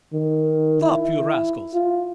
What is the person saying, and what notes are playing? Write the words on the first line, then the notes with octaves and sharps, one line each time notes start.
"Stop, you rascals!"
D#3
E4
F4